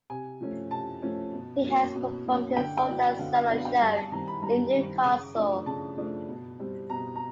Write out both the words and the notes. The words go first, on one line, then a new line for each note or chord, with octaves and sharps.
He has performed his Sold Out solo show in Newcastle.
C3 G#5
F3 A3 C#4
C3 A5
F3 A3 C#4
B2
F#3 A#3 C#4
B2
F#3 A#3 C#4
D3 G5
G5
F#3 B3 D4
F#5
D3 F5
F5
F#3 B3 D4 F#5
G5
G2 G#5
A5
D#3 G3 C4 A#5
B5
G2 A#5
D#3 G3 C4
C#3
F3 A3 D4
C#3 A5
F3 A3 D4
B2
G3 C4
B2 A#5
A#5